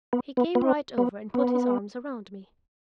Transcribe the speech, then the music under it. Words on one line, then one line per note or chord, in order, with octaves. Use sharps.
He came right over and put his arms around me.
B3
B3
B3
C4
B3
B3